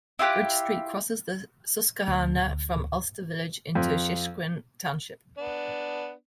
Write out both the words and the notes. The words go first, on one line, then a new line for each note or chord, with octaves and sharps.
Bridge Street crosses the Susquehanna from Ulster village into Sheshequin Township.
E4 F4 G4 F#6
D2
F2
B3 D4